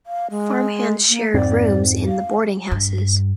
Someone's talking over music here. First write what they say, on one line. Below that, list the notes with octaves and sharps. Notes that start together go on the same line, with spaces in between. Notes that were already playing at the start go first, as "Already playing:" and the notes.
Farmhands shared rooms in the boarding houses.
F5
G#3
A#3
F2 G#2 C4 D5
F5
G2